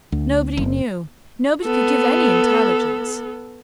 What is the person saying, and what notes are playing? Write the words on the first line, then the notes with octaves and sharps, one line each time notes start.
Nobody knew; nobody could give any intelligence.
D2
F#1
B3 A4